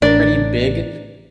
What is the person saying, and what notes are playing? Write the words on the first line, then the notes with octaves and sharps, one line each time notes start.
pretty big,
A1 D4 A#4 D5